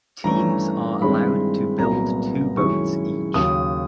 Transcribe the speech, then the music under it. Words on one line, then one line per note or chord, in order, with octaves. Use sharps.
Teams are allowed to build two boats each.
G2 E3 A3 C#4 A#5
G2 D#3 G#3 C4 E4 B5
C2 A#2 F#3 B3 A#5
F#2 D#3 G#3 C#4 E4 C#6
D#2 C#3 F#3 D#6